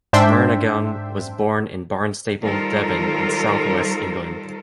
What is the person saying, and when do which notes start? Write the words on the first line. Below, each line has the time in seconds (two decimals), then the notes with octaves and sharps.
Murnaghan was born in Barnstaple, Devon in South West England.
0.13 G#2 D4 C5 E5 G5
2.42 D#3 G3 F4 A4 A#4 C5